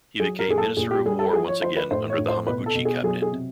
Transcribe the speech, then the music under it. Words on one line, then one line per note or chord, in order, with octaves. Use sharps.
He became Minister of War once again under the Hamaguchi cabinet.
F#3 G#4
A#4
A#2 G#4
A4
A#2 G#4
G4
G3 G#4
A4
F3 G#4
C#5
F3 C5
B4
A2 C5
C#5
A2
C5
B2 B4
A4
B2
G#4
F#3 G#4
G#4
C3